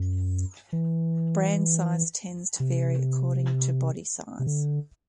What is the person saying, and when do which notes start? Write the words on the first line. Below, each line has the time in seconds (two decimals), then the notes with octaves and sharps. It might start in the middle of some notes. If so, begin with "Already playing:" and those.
Brain size tends to vary according to body size.
Already playing: F#2
0.73 E3
2.60 C3
4.39 C3
4.47 D3